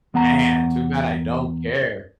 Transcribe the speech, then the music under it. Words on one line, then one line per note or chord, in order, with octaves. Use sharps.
Man, too bad I don't care.
E2 B3 F#5 A#5